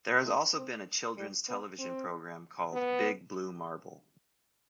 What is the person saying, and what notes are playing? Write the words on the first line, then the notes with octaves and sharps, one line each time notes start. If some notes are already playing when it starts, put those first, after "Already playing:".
There has also been a children's television program called "Big Blue Marble".
A3
C4
G3
B3
C4
B3